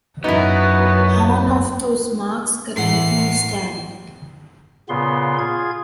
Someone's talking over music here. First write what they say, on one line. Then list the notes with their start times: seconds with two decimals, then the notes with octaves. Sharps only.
Hone of those marks currently stand.
0.24 F#2 B3 D#4 E4 F#4
2.77 A2 E3 F#5 C7
4.89 A#2 C#3 B3 C6
5.38 F4 G#4 G#6